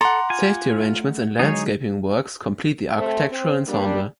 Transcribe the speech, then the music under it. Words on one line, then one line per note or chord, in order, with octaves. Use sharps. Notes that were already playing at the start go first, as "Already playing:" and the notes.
Safety arrangements and landscaping works complete the architectural ensemble.
A4 F#5 A#5 C6 D6
F4 G#5
A3
D3 F#3 G#3 D#4 G#4 C#5
A3 C4
C4
G3 A#3 D4